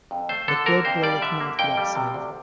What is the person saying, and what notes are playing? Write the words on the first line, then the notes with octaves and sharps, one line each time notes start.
The club play at North Lochside.
F2
A3 C5
D3 A4
A#3 A#4
F2 C5
G3 D5
D3 E5
A#3
F2 G5
G3
C3
D2